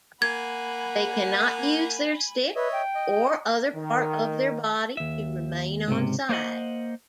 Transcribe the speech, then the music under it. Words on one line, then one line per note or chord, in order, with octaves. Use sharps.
They cannot use their stick or other part of their body to remain onside.
A#3 F#5 G#5 B5 G#6
B4 C#5 D#5 E5
G5
D#5
D#3
D#2 E5
C#2 G#2 C3
A#3 C5 C#5 D#5 F#5